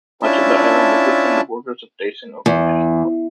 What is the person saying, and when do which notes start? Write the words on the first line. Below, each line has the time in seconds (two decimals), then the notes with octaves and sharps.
Much of the island is within the borders of Daisen-Oki National Park.
0.23 C#4 D4 E4 F4 E5 A5
2.46 E2